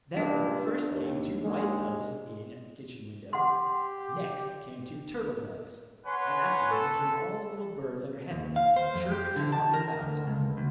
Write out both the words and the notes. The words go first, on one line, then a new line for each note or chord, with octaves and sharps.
Then first came two white doves in at the kitchen window; next came two turtle-doves; and after them came all the little birds under heaven, chirping and hopping about.
C#2 G2 A#2 D4
D#2
D#2 G#3
G4 F#5 C6
B4 C#5 F#5 G#5 C6
A4
D#2
F5
C5
F2
G4
D3
A5
A#4
D2
C#2
D2